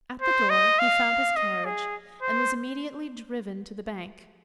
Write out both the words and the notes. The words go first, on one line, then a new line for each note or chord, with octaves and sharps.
At the door he found his carriage, and was immediately driven to the bank.
C5
D#5
F5
D#5
G#4
C5